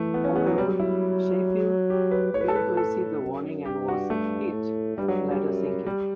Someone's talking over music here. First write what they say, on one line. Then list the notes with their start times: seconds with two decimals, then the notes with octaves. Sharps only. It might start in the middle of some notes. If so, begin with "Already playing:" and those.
However "Sheffield" failed to receive the warning and was hit, later sinking.
Already playing: E3 A3
0.14 B3
0.24 C#4
0.36 B3
0.47 F#3
0.57 F#3 G3
0.80 E4
1.90 G4
2.11 B4
2.34 A2 C#5
2.41 B4
2.48 A4
2.56 B4
2.77 A4
3.22 F#2
3.65 G2 G4
3.88 F#4
4.10 A3
4.54 A2
4.98 G2 G3
5.08 F#3
5.31 G3
5.42 F#2
5.86 G3